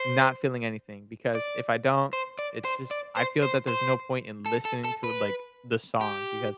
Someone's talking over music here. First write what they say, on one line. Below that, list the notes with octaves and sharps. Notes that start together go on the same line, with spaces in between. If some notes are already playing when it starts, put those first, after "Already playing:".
not feeling anything, because if I don't, it's just I feel that there's no point in listening to it, like, the song, because
Already playing: C5
D5
C5
D5
C5
D5
C5
C5
C5
A4
A4
A4
B4
G4